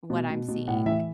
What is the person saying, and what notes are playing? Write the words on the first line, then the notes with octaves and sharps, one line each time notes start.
what I'm seeing.
B2
B2
B2
A2 F#5
E3 E5